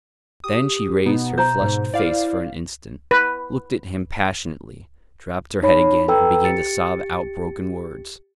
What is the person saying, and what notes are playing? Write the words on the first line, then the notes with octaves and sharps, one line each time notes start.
Then she raised her flushed face for an instant, looked at him passionately, dropped her head again and began to sob out broken words.
G4 D#6
B2 B3 D#4
C5 A#5
G#2
E4 D5 F5
B4
D#4 C#5 B5
A4 B4 G5 A#5 E6
G4 A6 C#7